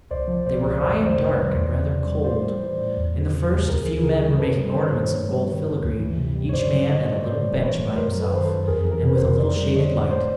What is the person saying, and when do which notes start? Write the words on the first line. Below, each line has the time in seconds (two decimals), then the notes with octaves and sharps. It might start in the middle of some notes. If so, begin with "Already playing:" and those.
They were high and dark, and rather cold. In the first a few men were making ornaments of gold filigree, each man at a little bench by himself, and with a little shaded light.
0.11 C2 C5 D5
0.28 F3
0.46 A#2 C5 D5
0.63 C2
0.81 F2 C5 D5
1.00 D#3
1.05 C5 D5
1.17 C3
1.29 B4 C#5
1.36 G3
1.53 E2 C5 D5
1.71 E3
1.90 C3
2.06 G3
2.24 A2 C5 D5
2.43 G3
2.60 E3
2.78 A2
2.97 E2
3.14 F#3
3.32 C#3
3.50 E2
3.67 D2 G#4 A#4
3.85 E3
4.03 C#3 G#4 A#4
4.21 G3
4.38 G2 A4 B4
4.57 G3
4.69 C5
4.74 D#3 B4 C#5
4.93 G2
5.10 G2
5.29 G3
5.46 D#3
5.65 G2
5.82 D2
6.00 E3
6.18 C3
6.35 G3
6.49 C#5
6.53 G2 C5 D5
6.71 F#3
6.88 D3 C#5 D#5
7.06 G2
7.24 A2 C5 D5
7.43 G3
7.61 E3 B4 C#5
7.78 A2
7.96 F#2 A#4 C5
8.14 F#3
8.20 A4 B4
8.32 D#3 C5
8.43 A4 B4
8.50 F#2
8.67 F2 G#4 A#4
8.85 E3
8.91 G#4 A#4
9.04 C3 B4
9.15 A#4 C5
9.22 F2
9.39 F2 C5 D5
9.57 G3
9.75 D3 C#5 D#5
9.93 F2
10.10 A2 C5 D5